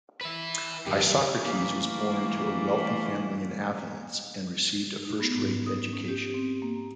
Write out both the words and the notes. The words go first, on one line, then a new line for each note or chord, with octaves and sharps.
Isocrates was born to a wealthy family in Athens and received a first-rate education.
B4 E5
F#2 D#3 G4
E3 A3 A#3
D#4
B3
G#2
D#6
C#4
G4
C4
A#3